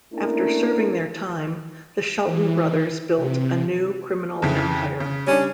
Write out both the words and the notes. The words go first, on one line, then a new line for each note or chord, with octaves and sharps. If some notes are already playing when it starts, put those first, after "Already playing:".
After serving their time, the Shelton brothers built a new criminal empire.
A3 A#3 C#4 D4 E4 A#4
E3
C3
F2 C#3 E3
C#3
G3 C#4 D4